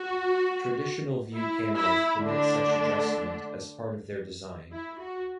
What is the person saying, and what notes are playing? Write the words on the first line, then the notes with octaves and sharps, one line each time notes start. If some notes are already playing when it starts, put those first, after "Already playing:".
Traditional view cameras permit such adjustment as part of their design.
Already playing: F#4
E4
E4
D3 A3 D4
E4
F#4